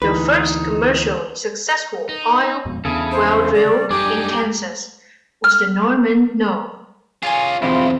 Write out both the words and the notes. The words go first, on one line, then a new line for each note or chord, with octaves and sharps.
The first commercially successful oil well drilled in Kansas was the Norman No.
D2 E3 D#4 B4
D#4
F2 G#2 B2
E2 C#3 B3 D4 E4 G#4 A4
C5
G3 D5
F#2 G3 D4 D#4 G4 G#5 D6
F6
F4 G#4 C#5 G#5
B1 E2 C4 E4 F4 G4